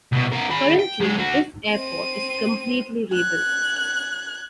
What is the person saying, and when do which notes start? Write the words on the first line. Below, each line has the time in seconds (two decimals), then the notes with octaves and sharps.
Currently this airport is completely rebuilt.
0.13 C2 B2
0.32 B3 A#4
0.51 G#4 B5
0.79 G5
1.01 F#2 G#3
1.18 D3 F#4
1.69 C4 D#7
3.14 F#6 G#6